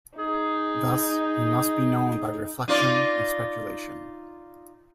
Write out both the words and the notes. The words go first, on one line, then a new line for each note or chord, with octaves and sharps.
Thus, He must be known by reflection and speculation.
D#4 G#4
D#4 F4 D5